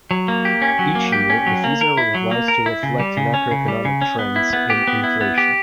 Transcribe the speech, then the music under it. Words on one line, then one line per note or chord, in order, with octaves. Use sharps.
Each year, the fees are revised to reflect macroeconomic trends in inflation.
F#3
A#3
G4
C#4
F#3
A#3
G4
C#4
F#3
A#3
A#4
E4
F#3
A#3
A#4
E4
C#3
G3
C#3
C#4
C#3
G3
C#3
C#4
B3
E4
B3
G4
B3
E4
B3
G4